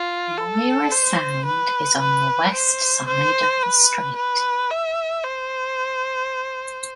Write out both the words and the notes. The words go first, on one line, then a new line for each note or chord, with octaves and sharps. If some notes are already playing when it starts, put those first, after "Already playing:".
Moira Sound is on the west side of the strait.
Already playing: F4
A4
C5
B4
B4
C5
C5
B4
B4
E5
C5